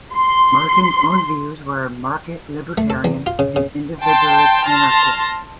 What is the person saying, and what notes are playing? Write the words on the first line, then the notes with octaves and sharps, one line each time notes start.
Martin's own views were market-libertarian and individualist anarchist.
C6
A3
A4
E2
F4
C#3
C#3
G5 A5 C6 G6
A5 C6 F6 A6 A#6